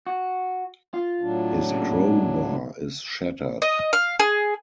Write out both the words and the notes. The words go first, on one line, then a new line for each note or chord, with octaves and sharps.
His crowbar is shattered.
F#4
F4
A2 F#3 D4
A#2 C#3
D#5
F5
G#4